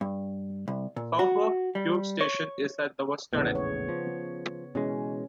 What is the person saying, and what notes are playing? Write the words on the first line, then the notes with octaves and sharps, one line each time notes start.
Southwark tube station is at the western end.
G2
C2
A#2
F#4
G3
C#5
A#1 E2 A2 C#3 B3
C#5
F3
B2 E3 G#3 C#4